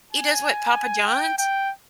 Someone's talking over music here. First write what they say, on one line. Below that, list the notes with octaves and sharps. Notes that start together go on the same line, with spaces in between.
He does what Papa John's?
G#5
G5
G5